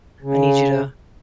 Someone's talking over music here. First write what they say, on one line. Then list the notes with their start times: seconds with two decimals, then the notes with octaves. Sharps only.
I need you to
0.22 C#3